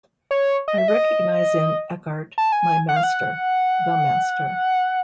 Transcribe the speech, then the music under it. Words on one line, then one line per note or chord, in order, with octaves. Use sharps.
I recognize in Eckhart my master, the master.
C#5
D#5
E5
D#5
A5
G#5
F#5
F5
F#5